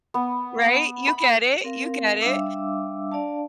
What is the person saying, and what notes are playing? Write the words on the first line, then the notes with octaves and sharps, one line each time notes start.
Right? You get it, you get it.
B3
B5
C4 A#4 F5
G3 D4 E5 F5 D6 E6
D4 D5 F5 A5